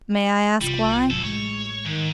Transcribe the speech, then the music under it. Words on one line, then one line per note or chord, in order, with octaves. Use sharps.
"May I ask why?"
C2 G3 F4
A1 F#2 F#3 A4
G#3 C#5
G#2 D#3